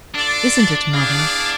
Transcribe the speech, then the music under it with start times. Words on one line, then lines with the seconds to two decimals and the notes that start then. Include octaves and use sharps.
Isn't it, mother?'
0.14 D4 F4 A4 D5
0.93 B3 E4 G#4 D5 F5